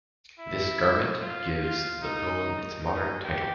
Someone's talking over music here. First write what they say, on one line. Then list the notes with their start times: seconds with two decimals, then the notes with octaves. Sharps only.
This garment gives the poem its modern title.
0.39 E4
1.21 F4
1.62 F4
2.02 D#4
2.83 D#4
3.24 G4